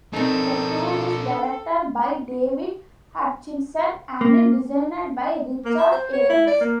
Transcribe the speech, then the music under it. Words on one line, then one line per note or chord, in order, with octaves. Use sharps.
The tour is directed by David Hutchinson and designed by Richard Evans.
C4 D4 D#4 A4 A#4
A#3
A#3
E5
C5
C#5
E4
D5
A#3